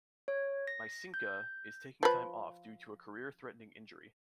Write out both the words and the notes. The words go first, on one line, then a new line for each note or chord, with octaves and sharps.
Myskina is taking time off due to a career-threatening injury.
C#5
A#6
G6
F3 B4